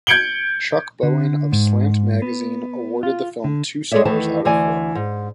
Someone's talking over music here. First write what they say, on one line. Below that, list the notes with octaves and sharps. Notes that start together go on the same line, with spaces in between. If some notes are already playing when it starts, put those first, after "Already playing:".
Chuck Bowen of "Slant Magazine" awarded the film two stars out of four.
G6 G#6 C#7 D7 F#7 G7
D3
G#2
B3
F4
D3
G#3 G#4 A4 C#5 D5 E5
E2 D#3 E3 A3 A5
D2 E3 D5 G#5
G#2